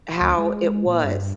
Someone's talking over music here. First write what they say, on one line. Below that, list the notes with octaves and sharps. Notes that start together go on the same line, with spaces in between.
how it was.
D2
G#3
A#2
G2